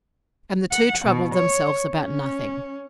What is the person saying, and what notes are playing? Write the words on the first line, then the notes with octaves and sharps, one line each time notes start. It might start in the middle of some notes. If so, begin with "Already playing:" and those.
And the two troubled themselves about nothing.
F#5
B2
C#5
C#4